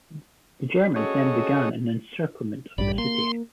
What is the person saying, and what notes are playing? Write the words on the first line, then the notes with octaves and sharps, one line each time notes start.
The Germans then began an encirclement of the city.
C#4 F#4 G#4 A4 C#5 D#5
A1 G2 G3 D5 B5
A#3 C6